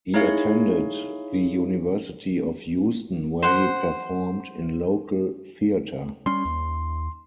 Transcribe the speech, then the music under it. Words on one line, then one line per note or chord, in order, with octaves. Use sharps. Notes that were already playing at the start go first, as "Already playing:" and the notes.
He attended the University of Houston, where he performed in local theatre.
D#4 E4 G#4 C#5 F5
C5 F#5
G3 C#4 C6
D#2